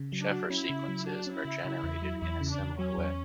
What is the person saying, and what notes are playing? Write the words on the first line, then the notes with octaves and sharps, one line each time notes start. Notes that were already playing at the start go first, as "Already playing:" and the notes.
Sheffer sequences are generated in a similar way.
Already playing: C#3
F#3
D4
F#4
C#4 E4
C#3
F#3
D4 F#4
C#4
E4
C#3
C#3
E2
F#3
E2 E4
C#3
D4
E2
F#3 C#4
E2